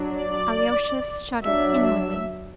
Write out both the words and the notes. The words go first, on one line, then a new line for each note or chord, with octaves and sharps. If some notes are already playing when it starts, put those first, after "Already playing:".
Alyosha shuddered inwardly.
Already playing: F#3 D4
D5
F#3 D4 E5
E5